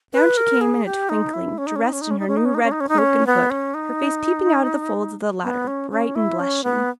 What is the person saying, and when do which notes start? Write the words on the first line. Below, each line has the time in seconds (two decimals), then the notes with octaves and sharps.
Down she came in a twinkling, dressed in her new red cloak and hood, her face peeping out of the folds of the latter, bright and blushing.
0.13 B4
0.37 A#4
0.61 G#4
0.85 G4
1.09 D#4
1.33 E4
1.58 C#4
1.67 D#4
1.76 C#4
1.84 D#4
1.93 C#4
2.01 D#4
2.11 C#4
2.19 D#4
2.28 C#4
2.37 D#4
2.45 C#4
2.54 D#4
2.63 C#4
2.71 D#4
2.80 C#4
2.89 D#4
2.98 C#4
3.27 B3
3.50 C#4
3.74 D#4
5.43 B3
5.67 C#4
5.91 C#4
6.15 E4
6.40 C#4
6.64 B3